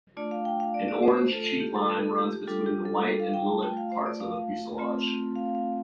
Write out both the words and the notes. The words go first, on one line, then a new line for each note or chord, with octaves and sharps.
An orange cheat line runs between the white and lilac parts of the fuselage.
A3 D4 F4 D5
F5
G5
F5
D5
D5
C5
C5
A3 F4 A4
A4
G4
A4
A4
A4
G4
G4
G3 D4 F4 A4
G4
A4
A4
F5
G5
A5
A3 F4 G5
F5
C5
D5
F5
A3 C4 F4
F5
F5